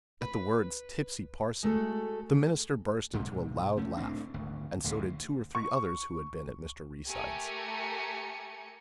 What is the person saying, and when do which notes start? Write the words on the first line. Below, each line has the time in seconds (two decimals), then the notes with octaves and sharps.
At the words "tipsy parson," the minister burst into a loud laugh, and so did two or three others who had been at Mr. Reeside's.
0.21 B4
1.63 G#3 A3 F#4 A4
3.14 B1 G#2 C3
3.77 C2 A3 C#4
3.97 A2 C4 D4
4.34 G#1 D2
4.84 D1 D2 C3
5.55 C#6
7.09 A3 G4 A#4 G#5 C#7